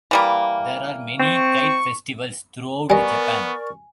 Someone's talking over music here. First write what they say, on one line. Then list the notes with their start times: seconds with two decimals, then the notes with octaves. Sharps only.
There are many kite festivals throughout Japan.
0.11 E3 G3 A#3
1.19 C4 C#6
2.90 G3 B3 A#4 D5 D#5 G#5 C#6